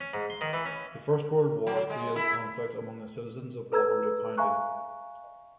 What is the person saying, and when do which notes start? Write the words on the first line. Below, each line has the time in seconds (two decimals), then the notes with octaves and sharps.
The First World War created conflict among the citizens of Waterloo County.
0.01 C#4
0.14 G#2
0.30 C6
0.41 D#3
0.53 E3
0.66 C#4
1.67 F#3
1.90 G#3
2.16 E4
3.72 A4 B4 A#5 E6 G#6
4.37 E5 F5 G#5 A#5 C#6 F#6